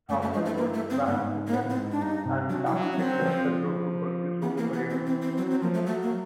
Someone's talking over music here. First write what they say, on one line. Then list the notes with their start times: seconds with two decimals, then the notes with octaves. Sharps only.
Afterwards Van Houten and Bacsik left the group to pursue solo careers.
0.09 F#2 A3
0.22 A3
0.33 G2 G#3
0.45 A3
0.58 A#3
0.74 A3
0.90 C4
1.06 G#2 B3
1.47 A#3
1.54 A2 B3
1.70 C4
1.77 G#2
1.91 D4
2.01 G2 D#4
2.25 C3
2.50 F#3 D4
2.66 E4
2.73 F#3
2.82 D4
2.92 C#4
2.98 F#3 C4
3.22 F3
4.42 E3 B3
4.58 A#3
4.74 B3
4.90 C4
5.06 C4
5.22 C4
5.38 F#3 C4
5.51 C4
5.62 F3 A#3
5.74 A3
5.86 F#3 A3
6.03 A#3